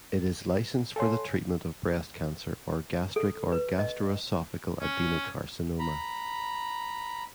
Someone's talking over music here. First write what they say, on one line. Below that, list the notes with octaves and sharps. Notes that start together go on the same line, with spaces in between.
It is licensed for the treatment of breast cancer or gastric or gastroesophageal adenocarcinoma.
A4 C#5 F5 G#5 C6
A4
B4
D#5
C#4
A#5 B5